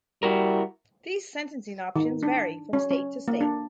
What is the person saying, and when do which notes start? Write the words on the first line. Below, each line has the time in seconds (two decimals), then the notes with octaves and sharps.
These sentencing options vary from state to state.
0.23 G3 E4 F#4 A#4
1.96 D#3
2.23 D4
2.73 C#4
2.91 C#4
3.28 A#3
3.41 D4